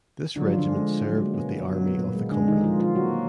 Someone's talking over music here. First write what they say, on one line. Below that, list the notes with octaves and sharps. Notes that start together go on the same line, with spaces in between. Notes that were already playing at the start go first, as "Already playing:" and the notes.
This regiment served with the Army of the Cumberland.
D3 F#3 D4
F3 F4
D3 D4
G#3
F#3
G#3
A#3
B2 G#3 B3
F#3
B3
A#2 A#3
G#3
D3 G#3 D4
D#3 D#4
F3 F4
F3 F4
F#3 A#3 F#4